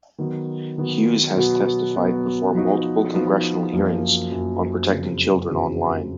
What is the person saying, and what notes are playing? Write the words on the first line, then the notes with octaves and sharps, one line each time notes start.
Hughes has testified before multiple congressional hearings on protecting children online.
D#3 F#3 B3
D#3 F#3 B3
B2 F#3 B3 F#4
B2 F#3 B3 F#4
F3 B3 D#4 F#4
F3 B3 D#4 F#4
F#2 F3 A#3
F#2 F3 A#3
F2 C#3 F#3
F2 C#3 F#3